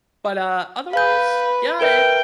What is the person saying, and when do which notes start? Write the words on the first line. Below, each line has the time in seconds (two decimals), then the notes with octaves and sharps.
But, uh, otherwise, yeah, it
0.93 B4 F5 G6
1.81 A#4 B4 E5 G5